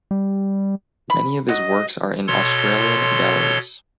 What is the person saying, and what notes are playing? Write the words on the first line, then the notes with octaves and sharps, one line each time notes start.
Many of his works are in Australian galleries.
G3
B5
F#3 D#5
B2 A4 C#5 C6